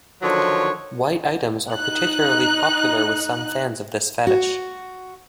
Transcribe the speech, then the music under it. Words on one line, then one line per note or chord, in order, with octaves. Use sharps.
White items are particularly popular with some fans of this fetish.
D3 D#3 F3 F#3 B4 C#5
D#4 F#6
F#4